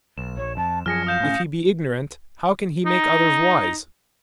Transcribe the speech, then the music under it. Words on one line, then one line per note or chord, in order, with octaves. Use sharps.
If He be ignorant, how can He make others wise?
B1 E7
A#1 C#5
F2 A5
F#2 F3 G#4 F6 A#6 C#7
F5 D#6 G6 E7
A2 C#4
D#4